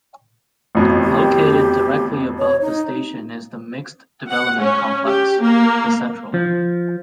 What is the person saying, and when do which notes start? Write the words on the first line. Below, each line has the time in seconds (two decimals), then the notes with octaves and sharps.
Located directly above the station is the mixed development complex, The Central.
0.75 A1 F2 B2
1.03 G4
2.39 C#5
2.61 D#4
4.30 F#5
4.61 C#4
5.07 G4
5.42 A#3
6.34 F3